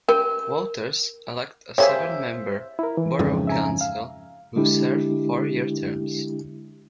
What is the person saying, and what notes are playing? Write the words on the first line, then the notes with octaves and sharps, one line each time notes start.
Voters elect a seven-member Borough Council who serve four-year terms.
G4 A#4
G3 A#3 G#4 C5 C#5 E5
E4 A#4
E3
F2 G#2 C#3
E5 G#5 A#5
F5
D3 G#3 D4 E4 G4